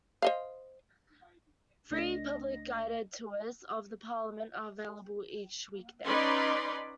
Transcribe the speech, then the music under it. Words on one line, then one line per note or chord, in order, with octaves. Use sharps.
Free public guided tours of the Parliament are available each week day.
C5 D#5 F5
C#2 A3 D4 D#5 A#6
C#4 D#4 B4 D5 B5 C6